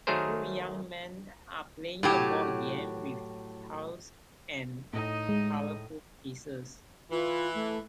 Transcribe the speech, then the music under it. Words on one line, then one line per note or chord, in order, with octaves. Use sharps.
Two young men are playing a board game with tiles and colorful pieces.
D#3 F#3 A3 G#4 A#4 C5
A2 F#3 G4
A2 D#4 D#5
G#3
E3 F4
A3